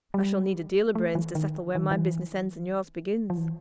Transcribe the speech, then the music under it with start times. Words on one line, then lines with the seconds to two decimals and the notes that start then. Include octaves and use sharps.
'I shall need a deal o' brains to settle where my business ends and yo'rs begins.'
0.14 G3
0.95 A3
1.15 E3
1.35 D#3
1.75 E3
1.83 D#3
1.91 E3
3.30 F3
3.37 E3